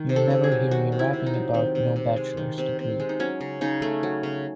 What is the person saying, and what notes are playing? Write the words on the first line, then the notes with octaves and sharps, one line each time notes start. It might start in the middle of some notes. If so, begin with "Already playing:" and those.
You'll never hear me rapping about no bachelor's degree.
Already playing: D#3
C3
A4
C3
G#4
F#3
D#3 F#4
C3
E4
C3
D#4
F#3
D#3 C4
C3
C3
G#3
D#3
C3
C3
G#3
D#4
F#3 C#4
C#3
C#3 D#4
A3
F#3
C#3